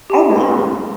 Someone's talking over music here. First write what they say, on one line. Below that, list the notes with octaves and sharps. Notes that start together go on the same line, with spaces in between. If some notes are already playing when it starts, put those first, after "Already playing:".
Oh, my.
G4
B4